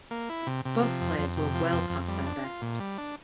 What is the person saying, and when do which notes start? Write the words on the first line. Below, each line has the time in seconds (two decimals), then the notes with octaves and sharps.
Both players were well past their best.
0.11 A#3
0.30 E4
0.47 C3
0.65 C3
0.83 F3
1.01 F2
1.19 F2
1.37 C3
1.55 F3
1.73 F2
1.90 F2
2.08 G3
2.26 D4
2.44 F4
2.62 A#2
2.80 G3
2.98 D4